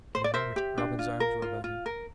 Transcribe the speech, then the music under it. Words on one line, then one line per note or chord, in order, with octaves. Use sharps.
In a moment Robin's arms were about him.
C5
D5
A#4 C5 E5
G4
D4
F4
A#4
F4
F4
A#4